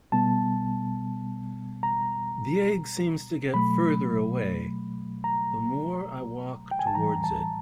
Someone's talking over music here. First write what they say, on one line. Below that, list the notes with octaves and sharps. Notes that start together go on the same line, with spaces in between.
The egg seems to get further away the more I walk towards it.
B2 G3 B3 A5
A#5
B2 F#3 A3 B5
A#5
G5
G#5
A5
A2 E3 G3 A#5
A5